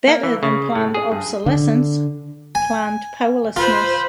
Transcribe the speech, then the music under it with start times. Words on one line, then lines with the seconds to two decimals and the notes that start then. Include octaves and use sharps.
Better than planned obsolescence: planned powerlessness.
0.07 A#3
0.23 E3
0.43 C#3
0.75 A2
0.94 G#4
1.12 G2
1.46 D3
2.55 G#5
3.56 F4 B4 C5